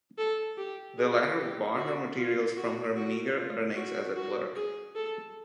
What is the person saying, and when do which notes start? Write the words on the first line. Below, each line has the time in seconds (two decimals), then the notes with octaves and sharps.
The latter bought her materials from her meager earnings as a clerk.
0.18 A4
0.58 G4
0.98 G#4
1.37 G4
1.77 F#4
2.17 F4
2.57 F#4
2.96 F#4
3.36 F4
3.76 F#4
4.16 F#4
4.56 G#4
4.95 A4